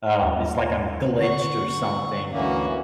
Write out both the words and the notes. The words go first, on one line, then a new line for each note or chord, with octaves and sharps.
um, it's like I'm glitched or something,
D#2
D3 F#5 C#6
D2 E3 A#3 C#4 F#4